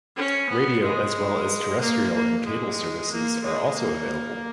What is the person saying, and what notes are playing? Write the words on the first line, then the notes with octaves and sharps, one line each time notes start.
Radio, as well as, terrestrial and cable television services are also available.
C#4
B3
G#3
A#3
A#3
G#3
A#3
G#3
A#3